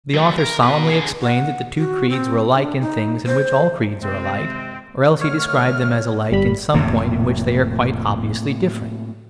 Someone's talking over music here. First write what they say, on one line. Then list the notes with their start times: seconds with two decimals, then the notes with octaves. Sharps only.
The author solemnly explained that the two creeds were alike in things in which all creeds are alike, or else he described them as alike in some point in which they are quite obviously different.
0.14 F#3 A3
0.38 A#4
0.63 B2 B4
0.90 D3 G#4
1.22 F#5
1.78 F#4
2.10 C4
2.55 D4
2.81 D#4
3.26 C5
4.02 C3 G#3 C4
5.21 D3 A3 C#5 F6
6.31 G1 G3 B5
6.74 F1 A2 C3 A#3